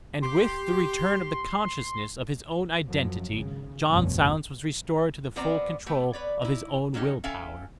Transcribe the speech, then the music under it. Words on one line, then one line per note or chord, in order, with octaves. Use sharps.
And with the return of the consciousness of his own identity John Silence was restored to the full control of his own will-power.
G4 C6
F#2 F3 F#3
G#1 C#3
F1 A#1 G2 B2 F3 C#4
F3 B3 C4 C5 D5 A#5
A3 B3 G4
B4 C#5 D5
D#4 E4
F#3 C#4 D#4 E4 G4
C#4 A4 E5 F5 G5 A5